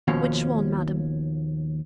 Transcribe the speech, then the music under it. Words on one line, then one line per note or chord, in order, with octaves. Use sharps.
"Which one, madam?"
D#2 B2 F3 C#4